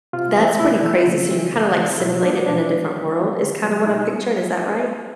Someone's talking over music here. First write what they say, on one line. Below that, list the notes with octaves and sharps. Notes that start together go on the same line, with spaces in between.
that's pretty crazy. So you're kinda, like, simulated in a different world is kinda what I'm picturing, is that right?
C3 F4
E3 A3 C4
C3 E4
E3 A3 C4
C#3
E3 G#3 C4
C#3
E3 G#3 C4
B2 E4
G#3 B3 D4
B2 D4
G#3 B3
D3
F#3 B3
D3
F#3 B3
B2 D#4
G3 B3